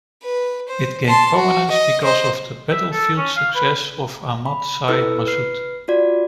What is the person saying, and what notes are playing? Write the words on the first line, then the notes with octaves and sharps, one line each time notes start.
It gained prominence because of the battlefield success of Ahmad Shah Massoud.
B4
C5
A5 C6
F#4
D#5
C5 D#5
E5
A4
C#4
F5
B4
B5
E4 A4 B4 E6
B4 F6 C7
F4 F#4 D5